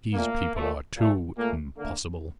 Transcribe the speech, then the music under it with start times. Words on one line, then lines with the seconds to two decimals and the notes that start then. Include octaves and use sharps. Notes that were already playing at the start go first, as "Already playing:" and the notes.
These people are too impossible.
0.14 A#2 A3 A#3
0.56 A#2 A3
0.96 A#2 A3
1.37 A#2 A3 A#3
1.78 D3 A3 A#3